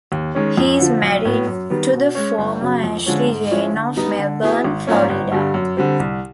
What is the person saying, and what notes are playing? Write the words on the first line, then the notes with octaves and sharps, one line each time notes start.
He is married to the former Ashley Jenne of Melbourne, Florida.
D#2
D#3 G#3 C#4
F2
D3 F3
B1
A2 F#3 B3
F#2
D#3 G3 B3
B2
G#3 C#4
G1
F#2 C#3 F#3
F2
D3 F3 G#3 C#4
G#2
F3 G#3 C#4 E4
D3
G3 B3 D#4
D3
F#3 B3 E4 G#4
G#1
G#2 F3 A#3 C#4
G1
G2 D3 G3
F#2
D3 G3 C4
C2